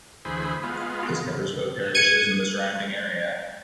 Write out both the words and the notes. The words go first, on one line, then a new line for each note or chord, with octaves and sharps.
This covers both parishes and the surrounding area.
D2 E3 G#4 C5 B5
G#3 B3 F4
G#6 C#7 D#7